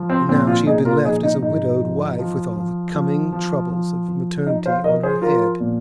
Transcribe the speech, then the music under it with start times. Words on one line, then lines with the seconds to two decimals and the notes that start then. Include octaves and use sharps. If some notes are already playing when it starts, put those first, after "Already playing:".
And now she had been left as a widowed wife, with all the coming troubles of maternity on her head.
Already playing: F3
0.10 C4
0.29 A#2 C4
0.47 C4 F4
0.66 A#2 D#4 G#4
0.85 F4 A#4
1.04 F3 D#4 G#4
1.23 D#4
1.42 G#2 D#4
1.81 F3
2.19 F3
2.56 F3
2.95 F3
3.32 F3
3.70 F3
4.08 F3
4.46 F3 D#4
4.66 C5 F5
4.84 F3 A#4 D#5
5.03 G#4 C5
5.22 F3 F4 A#4
5.60 A#2